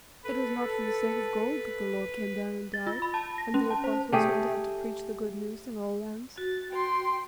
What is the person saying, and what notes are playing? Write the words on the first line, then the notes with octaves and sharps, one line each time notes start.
It was not for the sake of gold that the Lord came down and died, and the Apostles went out to preach the good news in all lands.
A4 B4
A6
F4
B5
A5
A#6
C#4
A5
C5
A3 G4 G#4
F#4 A6
G5 C6